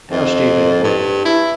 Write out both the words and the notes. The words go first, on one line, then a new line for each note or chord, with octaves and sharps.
How stupid of me!
F2
G2
E4